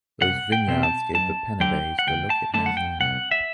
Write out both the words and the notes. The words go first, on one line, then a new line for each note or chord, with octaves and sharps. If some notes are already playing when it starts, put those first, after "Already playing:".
Those vineyards gave the Penedès the look it has now.
C2 F#5
G5
B2 G3 C4
A5
F#2 A5
D3 F#3 G5
F#5
D2 G5
A5
D3 F#3 A3 D4 A5
F#5
G5
C2 F#5
E5